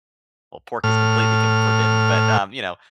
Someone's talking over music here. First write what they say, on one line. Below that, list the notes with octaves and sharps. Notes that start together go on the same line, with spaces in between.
well, pork is completely c forbidden, but, um, you know,
A2 F6